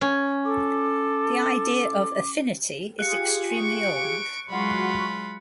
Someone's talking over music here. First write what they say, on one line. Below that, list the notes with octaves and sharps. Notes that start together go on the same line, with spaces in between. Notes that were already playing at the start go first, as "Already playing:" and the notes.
The idea of "affinity" is extremely old.
C#4
A4 D6
F4 G4 G#4 F#6 C#7
C#6 D7
F#3 G#3 F4 F#4 F#5 B5 C#6